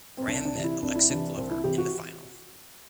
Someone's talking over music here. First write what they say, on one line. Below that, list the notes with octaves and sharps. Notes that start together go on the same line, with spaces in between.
Graham met Alexa Glover in the final.
C4
C2 D4
D4
C3 E3
E4
C2 D4
E4
C3 E3 D4
C2 C4
E4
C3 E3 G4
F#4